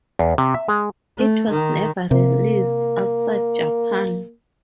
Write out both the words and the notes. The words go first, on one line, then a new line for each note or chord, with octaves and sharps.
It was never released outside Japan.
E2
C3
E5
G#3
A3
D#3
C3 A#3